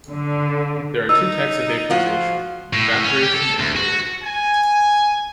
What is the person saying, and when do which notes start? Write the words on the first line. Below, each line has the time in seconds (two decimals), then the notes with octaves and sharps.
There are two types of vaporization: evaporation and boiling.
0.11 D3
1.09 D#4 E6
1.90 F3 F4 F#4
2.73 A2
3.04 C#4
3.22 G4
3.35 A4
3.59 D2
3.76 F#4
4.24 G#5